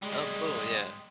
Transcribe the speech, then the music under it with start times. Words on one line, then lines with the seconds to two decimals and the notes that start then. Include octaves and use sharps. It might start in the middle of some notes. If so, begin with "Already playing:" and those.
Oh cool, yeah.
0.02 G3 G#3